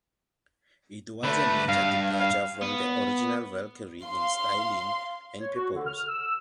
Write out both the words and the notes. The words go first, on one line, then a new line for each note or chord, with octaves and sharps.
It was a major departure from the original Valkyrie in styling and purpose.
D3 A3 B4
G2 F5
F5
B3
F5 C6
C#5
F#4
D3
F6
E6